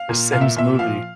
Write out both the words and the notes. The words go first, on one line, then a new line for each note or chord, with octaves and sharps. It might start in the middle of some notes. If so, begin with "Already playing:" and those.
The Sims movie
Already playing: F5
A#2
A#2 F5
E5
A#2 E5
F3 F5